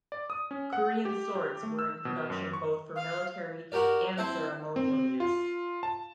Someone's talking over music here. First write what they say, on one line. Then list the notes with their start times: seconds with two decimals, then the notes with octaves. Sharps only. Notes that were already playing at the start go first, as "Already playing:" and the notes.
Korean swords were in production both for military and ceremonial use.
0.12 D5
0.30 D#6
0.51 C#4
0.73 F#5
1.05 G4
1.35 G4
1.63 A3
1.79 E6
2.05 B2
2.30 F#2
2.53 C#6
2.96 F5
3.72 F#4 G4 A#4 D5
4.18 C4 E4 A4 C5
4.76 C4
5.20 F4
5.83 A5